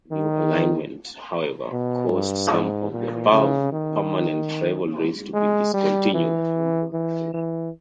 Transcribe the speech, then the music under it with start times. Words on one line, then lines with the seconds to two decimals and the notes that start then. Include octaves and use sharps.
The new alignment, however, caused some of the above permanent rivalries to be discontinued.
0.11 D#3
1.72 B2
2.11 G2
2.51 G#2
2.92 A#2
3.32 C#3
3.72 D#3
5.33 G#3
5.73 G3
6.14 E3
6.93 E3
7.34 E3